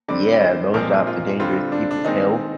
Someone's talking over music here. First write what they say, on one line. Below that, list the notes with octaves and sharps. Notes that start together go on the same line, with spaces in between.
Yeah, those jobs are dangerous to people's health,
D3 G3 C4 D5
C5
A#2 F3 G#3 C4 A#4
F4
D3 G3 C4 F4
D4
D4
D#3 G#3 C4 D#4